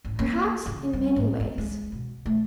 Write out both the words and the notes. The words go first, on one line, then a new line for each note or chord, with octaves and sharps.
Perhaps in many ways.
A1
A#3
C#3
G3
A2
C4
G#3
B2
A3